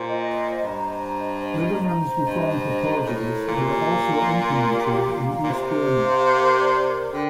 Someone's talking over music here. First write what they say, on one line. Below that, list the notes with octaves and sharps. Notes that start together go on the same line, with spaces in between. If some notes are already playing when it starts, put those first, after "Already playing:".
Liberman's reform proposals were also implemented in East Germany.
Already playing: A#2 C5
D#5
C5
G2 A#5
C5
D#5
C5
A#5
C5
G2 D#5
C5
A#5
A2 A#5
A#4
A#2
G4
F5
A#5
A#4
G4
F5
A#5
A#2
C3 A#4
G4
F5
A#4
D5
A#4
D3 G5